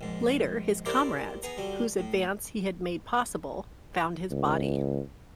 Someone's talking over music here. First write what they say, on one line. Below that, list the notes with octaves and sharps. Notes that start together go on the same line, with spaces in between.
Later, his comrades, whose advance he had made possible, found his body.
A#1 G#2
E4 G4 A#4 C5 D5 E5
B3 G#4 A#5
D3 F#3 G3
A2
C#2